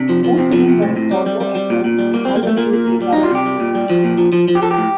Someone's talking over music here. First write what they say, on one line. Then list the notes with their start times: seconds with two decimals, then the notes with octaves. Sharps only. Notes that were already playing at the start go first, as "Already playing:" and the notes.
Most children learn Toto at home, although they use Bengali in school.
Already playing: C3 D4
0.09 F3
0.24 F3
0.38 C3 C4
0.52 F3
0.68 C3
0.82 A2
0.96 A2
1.11 G3
1.26 G3
1.40 G3
1.55 G3
1.70 A#2
1.84 A#2
1.99 G3
2.13 G3 A#3
2.25 G3 C4
2.36 A#3
2.43 G3
2.47 A3
2.57 A#2 A#3
2.73 A#2
2.87 A#2
3.02 G3
3.13 G3 D#4
3.23 F4
3.31 C3 G4
3.46 G3
3.60 A#2
3.75 G3
3.90 F3
4.04 A#2
4.18 F3
4.33 F3
4.48 F3
4.55 G4
4.62 F3 A4
4.71 G4
4.78 A2